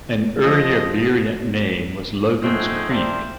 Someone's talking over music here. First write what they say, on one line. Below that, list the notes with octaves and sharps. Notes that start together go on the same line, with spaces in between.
An early variant name was "Logan's Creek".
F3 D#5
D3 F3 A3 C4 D#4 G#4
A#3 C4 D4 E4 C5